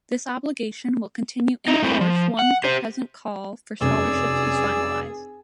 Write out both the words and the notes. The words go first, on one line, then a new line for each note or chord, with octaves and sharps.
This obligation will continue in force ones the present call for scholarships is finalized.
D#4 E4
A3 C4 E4
F3
F#5
G4 C5
F1 F#2 G#4 D5 E6